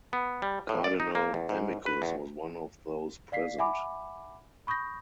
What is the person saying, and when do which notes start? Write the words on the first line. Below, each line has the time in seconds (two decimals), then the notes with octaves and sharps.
Cardinal Amicus was one of those present.
0.13 B3
0.42 G3
0.69 A2
0.84 D5
1.00 D#4
1.15 A#3
1.34 E2
1.49 G#2
1.86 B4
2.02 E2
3.32 D5 F5 B6 C7
3.59 E5 F#5 G#5 B5 D6
4.67 B5 C#6 D#6 G6 A#6